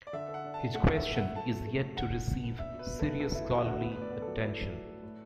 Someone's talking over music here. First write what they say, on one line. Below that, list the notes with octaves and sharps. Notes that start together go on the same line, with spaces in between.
His question is yet to receive serious scholarly attention.
D5
D3 E5
A4
F#5
D4
A4 A5
A3 F#5
A2
E5
A3
A3 F#5
A3 A5
F#3
A3
F#3
D3 F#5
D3
E2
B3
D4 E5
B2
B4
B2
B1 A4
B4
D2 A4
E1 E4
D2 F#4
D3 F#4
B3 B4
A2 B4
D5
B3
F#3 A4
E4
A3
F#3
A3
A2